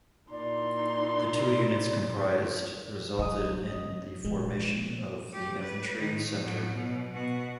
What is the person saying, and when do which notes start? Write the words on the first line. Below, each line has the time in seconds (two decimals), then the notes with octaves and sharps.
The two units comprised resulted in the formation of the Infantry Centre.
0.31 A#2 D#4 E4 D5 C6
3.19 F#3 D#5 D#6
4.25 A#2 F3 G#3
5.32 A3 G4
5.62 B4
5.96 A2 D#3
6.41 A2 F#3
6.74 B2
7.13 B2 F#4